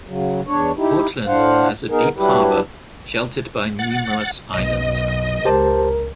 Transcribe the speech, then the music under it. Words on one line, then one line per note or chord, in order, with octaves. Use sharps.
Portland has a deep harbor sheltered by numerous islands.
C#3 F#3
E2 D4 C#5
D#4 E4 G4
A2 D4 C5 F5 F#5
B3 D#4 G#4 A#4
F#3 G3 D4 E4 G4 B4
F#5 A6
B1 F#2 D#5
C#2 G4 A#4 C5 A5